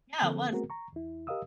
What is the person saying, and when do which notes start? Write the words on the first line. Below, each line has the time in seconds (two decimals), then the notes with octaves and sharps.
Yeah, it was.
0.22 D3 F3 A#3 C4 A4
0.51 A3 B3 C4 F#4 G#4 A#4
0.70 A#5 C#6
0.93 E2 E4
1.27 G4 A#4 D#5 F5 D#6 E6